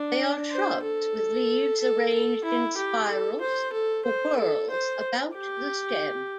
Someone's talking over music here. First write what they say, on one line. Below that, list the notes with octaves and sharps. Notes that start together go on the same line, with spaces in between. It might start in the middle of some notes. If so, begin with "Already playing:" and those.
They are shrubs with leaves arranged in spirals or whorls about the stem.
Already playing: D4
C5
A4
A4
A4
E4
G4
A4
C5
A4
C5
A4
C5
G4